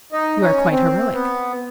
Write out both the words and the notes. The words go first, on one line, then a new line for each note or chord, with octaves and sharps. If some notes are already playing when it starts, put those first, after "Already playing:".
"You are quite heroic."
D#4
C#4
C4
B3